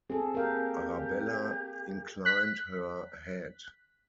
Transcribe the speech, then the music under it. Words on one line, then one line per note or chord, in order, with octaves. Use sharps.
Arabella inclined her head.
C4 G#4 A4
G4 A#4 F5
F#6 B6